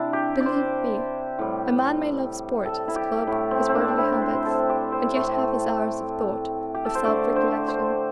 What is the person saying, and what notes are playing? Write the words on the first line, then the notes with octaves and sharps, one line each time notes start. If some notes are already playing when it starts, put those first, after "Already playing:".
Believe me!--a man may love sport, his club, his worldly habits, and yet have his hours of thought, of self-recollection.
Already playing: C3 D4 E4
G4
D5
C5
A2 G3
A4
E4
G4
A2 A3 E4
C4
C4
D4
E4
C5
A4
G4
C5
A2 A3
G4
A4
C5
D3 A3 D5
C5
C5